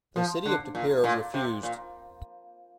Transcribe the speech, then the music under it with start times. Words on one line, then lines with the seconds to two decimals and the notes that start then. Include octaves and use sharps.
The city of De Pere refused.
0.16 F3
0.46 D3
0.75 A#2
1.04 A#2
1.34 C3
1.63 A#2